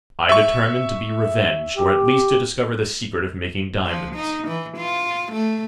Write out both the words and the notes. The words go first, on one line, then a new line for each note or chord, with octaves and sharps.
I determined to be revenged, or at least to discover the secret of making diamonds.
E5 C#6
G4
F3
D#4
E3
F4
A3